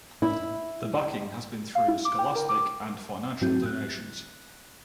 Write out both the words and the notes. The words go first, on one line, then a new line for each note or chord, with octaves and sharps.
The backing has been through scholastic and financial donations.
E4
F5
E4
D6
G5
A#4
D6
G#2 F#3 C4 E4 F#4 G6
F#6